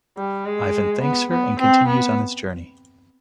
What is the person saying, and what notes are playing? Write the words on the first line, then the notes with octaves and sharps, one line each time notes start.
Ivan thanks her and continues on his journey.
G3
G#3
B3
B3
C4
B3